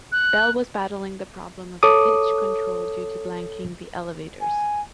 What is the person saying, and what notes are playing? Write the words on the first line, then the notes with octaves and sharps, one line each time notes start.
Bell was battling the problem of pitch control due to "blanking" the elevators.
F#6
A4 C#5 D6 D#6
G#5